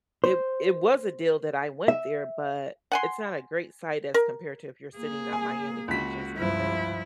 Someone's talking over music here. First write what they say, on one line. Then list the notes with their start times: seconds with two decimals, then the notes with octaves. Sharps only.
it it was a deal that I went there, but it's not a great sight as compared to if you're sitting on Miami Beach and seeing them,
0.24 C5
1.88 E5
2.92 F#5 G#5 C6
4.14 A#4
4.97 A#3 G#4
5.33 G#5
5.88 C#2 F#4 B6
6.37 G2 F3 E4